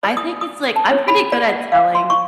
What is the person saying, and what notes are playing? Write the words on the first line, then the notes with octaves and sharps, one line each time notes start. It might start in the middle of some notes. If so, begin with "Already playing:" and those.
I think it's, like I'm pretty good at telling,
D5
D#6
D#6
A5
C#5
B5
D5
F#5
F5
C6
C#6